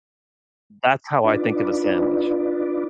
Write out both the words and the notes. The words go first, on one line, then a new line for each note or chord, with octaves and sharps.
That's how I think of a sandwich.
D4 D#4 F4 B4 D5